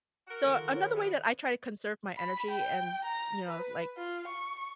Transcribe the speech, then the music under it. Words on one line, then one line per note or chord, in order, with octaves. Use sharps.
So, another way that I try to conserve my energy and, you know, like,
F#4 A#4
D#3 F3 A4
C#5 B5
E3 G#3
B5
G5
A#5
B4
F4
C#6